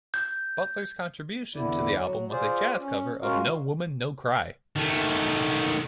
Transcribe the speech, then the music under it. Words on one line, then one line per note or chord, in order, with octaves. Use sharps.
Butler's contribution to the album was a jazz cover of No Woman No Cry.
G6
E2 D3 E4 D5
F#3
F4 G#4 C5 D5
C#4
G#3 C#4 F4 F#4 A#4 F5
D#3 A3